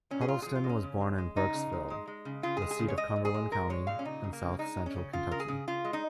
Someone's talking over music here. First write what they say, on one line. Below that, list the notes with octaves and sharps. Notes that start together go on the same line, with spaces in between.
Huddleston was born in Burkesville, the seat of Cumberland County in south central Kentucky.
A#2 C#4
G#4
A#2 F4
F3 G#4
F4
G#3
C#4
C#3
G#3
G#3
C#3 D#4
C#3
G#3
G#3
G#3
C#3
C#3 F4
G#4
G#3
G#4
C#3
C#5
G#3 D#5
A#2
G#4
G#3
G#3 A#4
G#3 C#5
A#2 F5
C#4
C#3 D#4
C#3
A#3
C#3
G#3 D#4
G#3
C#4
C#3
C#3 F4
C#3 A#4
G#4
C#3
C#3 F4
G#3
D#4